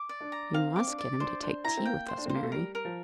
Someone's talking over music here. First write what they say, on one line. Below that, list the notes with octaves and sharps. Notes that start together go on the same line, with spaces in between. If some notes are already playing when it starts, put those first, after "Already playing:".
"You must get him to take tea with us, Mary."
Already playing: D6
D5
D4
A#5
C4 F5
C4 D6
D4
D5
D4 C5
D4 C5
E4 A#5
C4
A#3 G5
C5
D4
C4 C5
A#3
A3
G3 A#4
A#4
F3